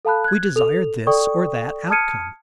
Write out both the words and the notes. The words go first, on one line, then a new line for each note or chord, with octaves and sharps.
We desire this or that outcome.
A4 F5 A5 B5 F#6
F#6 G#6
A4 F7
A4 D5 G5 C#6 D#6
A5 D#6 F6 G#6 C#7 D#7